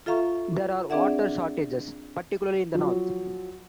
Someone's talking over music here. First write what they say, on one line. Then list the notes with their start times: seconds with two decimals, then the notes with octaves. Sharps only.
There are water shortages, particularly in the north.
0.06 F4 A4 E5 F5 A#5 C#6
0.90 C4 D4 G#4 D5 E5 F#5
2.75 F3 F#3